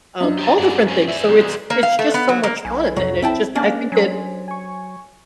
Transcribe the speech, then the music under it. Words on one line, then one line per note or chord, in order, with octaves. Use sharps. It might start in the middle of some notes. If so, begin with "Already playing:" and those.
um, all different things. So, it's f it's just so much fun, and it just I think it
F#2 D4 D#5 E5
G4 C#5 A5
G2 G#4 D5 F#5 G#5
C#4 C5 D5
E2 B4 D5 E5
C2 G#3
A#3
F5
A3
B3
F#3
A#3
B1 G#5
C2 F2 F#3 C#5
C4 E4 G5 A5
A#3 C#4 D4
F#3 C5 G#5
G#5 C#6